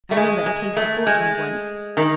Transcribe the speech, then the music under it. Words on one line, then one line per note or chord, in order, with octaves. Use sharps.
I remember a case of forgery once.
A3
G#3
G#3
A3
G#3
D#3